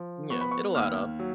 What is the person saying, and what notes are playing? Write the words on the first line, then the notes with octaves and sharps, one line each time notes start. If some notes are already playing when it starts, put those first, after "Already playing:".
Yeah, it'll add up.
Already playing: F3
B3 C#6
B5
C#6
D#2 F6
F#3